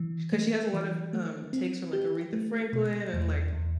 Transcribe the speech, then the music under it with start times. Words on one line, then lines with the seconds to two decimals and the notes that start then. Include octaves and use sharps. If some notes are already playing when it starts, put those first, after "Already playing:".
'cause she has a lot of, um, takes from, like, Aretha Franklin, and, like,
Already playing: E3
0.32 A3
0.73 E3
1.13 A3
1.53 C4
1.93 G4
2.33 A3
2.73 B2
3.14 E2
3.53 E2